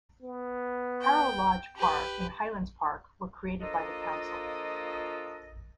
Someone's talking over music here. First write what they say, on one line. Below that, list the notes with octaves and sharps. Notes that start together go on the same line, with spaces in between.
Harrow Lodge Park and Hylands Park were created by the council.
B3
G5
G4 B4
F3 A#3 D4 F4 A4 D#5